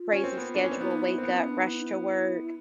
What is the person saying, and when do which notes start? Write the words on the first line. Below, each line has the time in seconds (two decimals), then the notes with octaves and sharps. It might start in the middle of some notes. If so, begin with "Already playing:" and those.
crazy schedule, wake up, rush to work,
Already playing: F4
0.12 C#4
0.24 C4
0.37 B3
0.55 D4
0.64 C#4
0.71 C4
0.80 B3 E4
0.92 D#4
1.03 E4
1.18 C4
1.23 B3
1.30 C4
1.39 C#4
1.49 D4
1.58 D#4
1.68 E4